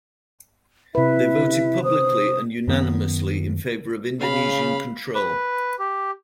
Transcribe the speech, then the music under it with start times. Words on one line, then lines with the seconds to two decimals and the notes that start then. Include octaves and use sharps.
They voted publicly and unanimously in favour of Indonesian control.
0.95 C3 E4 B4 E5
1.84 C5 D#6
2.68 F#2 D#3 B3
4.20 C#3 F5 B5
5.14 B4
5.79 G4